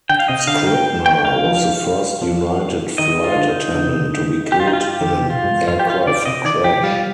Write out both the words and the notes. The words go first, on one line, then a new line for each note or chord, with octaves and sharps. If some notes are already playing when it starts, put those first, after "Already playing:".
Scribner was the first United flight attendant to be killed in an aircraft crash.
D3 G5
F5
C3 D#5
D3 F5
G5
G5
F5
F3
F3
D#3 D#5
F4
D3
D#4
D3
C3
D3
G4
F4
D#4
F4
G4
D#3
D3
C3
B2 F4
G2
G#2
F2 F4
G4
F4
D3 D5
C3 D#5
D#3 D5
F3 G4
G3 F4